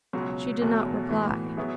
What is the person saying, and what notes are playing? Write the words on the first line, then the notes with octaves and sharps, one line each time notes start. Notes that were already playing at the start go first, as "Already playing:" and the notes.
She did not reply.
C#2 B2 F#3
E2 B2 F#3 A3
A2 E3 B3 F#4
F#3 B3 E4 G#4